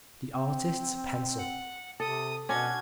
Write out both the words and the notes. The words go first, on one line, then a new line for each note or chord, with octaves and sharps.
The artist's pencil!
C4
F#5
C3 A4 D#6
B2 C#4 D4 F#4 G#6